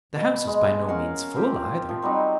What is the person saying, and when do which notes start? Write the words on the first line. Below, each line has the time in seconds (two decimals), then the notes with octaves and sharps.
The house was by no means full, either.
0.16 B2
0.47 G#3
0.88 C#4 A#4 F5 F#5
1.36 C4 F4 G4
1.89 F3
2.02 F#3 G3 C4 D#4